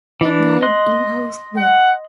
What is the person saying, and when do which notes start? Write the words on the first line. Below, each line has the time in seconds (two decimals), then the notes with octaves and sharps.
He died in Augsburg.
0.21 E3 D4
0.62 D#5 C6 F#6
1.57 F#5